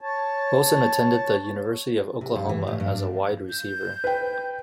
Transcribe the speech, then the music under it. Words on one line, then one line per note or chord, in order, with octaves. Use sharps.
Wilson attended the University of Oklahoma as a wide receiver.
C#5 A5
C3
G2
E3
A2
G2
D4
G6
B4 G5